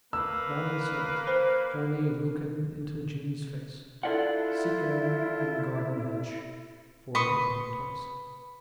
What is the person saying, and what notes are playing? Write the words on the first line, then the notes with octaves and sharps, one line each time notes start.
Johnnie said it, Johnnie luikin' Into Jeannie's face; Seekin' in the garden hedge For an open place.
A#3 B4 E6
C5
E4 F4 A4 D5 F#5
B4 C6 C#6 D#6